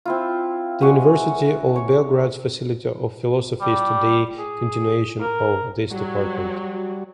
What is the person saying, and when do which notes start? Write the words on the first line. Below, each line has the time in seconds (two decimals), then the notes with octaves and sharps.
The University of Belgrade's Faculty of Philosophy is today's continuation of this department.
0.05 C4 E4 F4
0.81 G#3 F#4 C#5 G#5
1.76 C#5
3.61 G3
4.39 G#4
5.21 A#4
5.91 F#3 G3 F#4